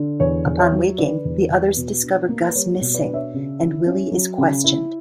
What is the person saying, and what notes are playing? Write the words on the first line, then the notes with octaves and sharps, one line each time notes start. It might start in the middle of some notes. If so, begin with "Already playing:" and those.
Upon waking, the others discover Gus missing and Willi is questioned.
Already playing: D3
E2 C#5
E2
C#5 E5
F#3
D3 B4 D5
E2
E2
B2
D4
A#3
B4
G3 C#5
C#5
B2
B4 D5
D4
C#5 E5
C#3
E4
C#4
F#3
C#3
E4